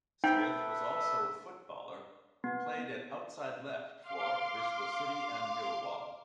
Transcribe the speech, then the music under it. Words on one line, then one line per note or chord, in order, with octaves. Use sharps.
Smith was also a footballer who played at outside-left for Bristol City and Millwall.
D#4 A4 B4 E5 G5
B3
F5 C6 D6